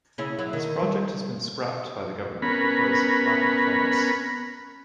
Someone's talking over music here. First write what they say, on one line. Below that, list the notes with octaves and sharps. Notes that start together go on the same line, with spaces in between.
This project has been scrapped by the government because lack of funds.
C#3 C#4 E4
F#3 E4
D#3
G3
B3 C#4 A#4 B5